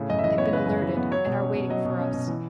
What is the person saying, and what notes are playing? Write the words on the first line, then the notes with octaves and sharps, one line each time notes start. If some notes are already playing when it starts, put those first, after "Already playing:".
"They've been alerted and are waiting for us."
Already playing: A2 C#3
F#2 D#5
E5
E3 D#5
B3 C#5
C#3 B4
F#2
E3
B3
F#3 C#5
B2
C#4
B2
F#3 D#5
B2
C#4
B2
E3